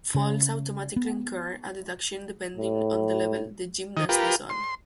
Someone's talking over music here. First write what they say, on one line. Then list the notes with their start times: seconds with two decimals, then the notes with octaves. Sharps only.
Falls automatically incur a deduction depending on the level the gymnast is on.
0.15 C#3
0.96 B3
2.57 A2
3.97 D#3 D#5
4.09 F4 G4 A#4 B4
4.50 C6